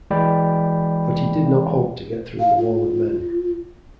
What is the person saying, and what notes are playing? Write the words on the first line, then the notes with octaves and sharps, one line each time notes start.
But he did not hope to get through the wall of men.
E3 G#3 D5 G5 B5
F5
F4